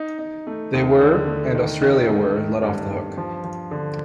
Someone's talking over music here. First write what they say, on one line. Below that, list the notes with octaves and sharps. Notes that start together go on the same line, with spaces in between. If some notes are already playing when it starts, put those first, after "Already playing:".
They were - and Australia were let off the hook.
Already playing: D#4
D#4
A3
D#2
D3
A3
D#3
D#3
A3
D#3
G2
G2
F3
F3
D3